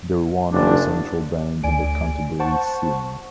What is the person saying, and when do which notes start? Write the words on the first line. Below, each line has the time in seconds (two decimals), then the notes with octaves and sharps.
They were one of the central bands in the Canterbury scene.
0.52 F#1 D4
1.63 D2 D5 G#5 D7
2.39 C5 F#5 A5 C#6